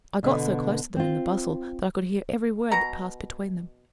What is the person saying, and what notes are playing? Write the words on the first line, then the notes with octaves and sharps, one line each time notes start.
I got so close to them in the bustle that I could hear every word that passed between them.
B2 D3 B4
C4 F4
B2 A#5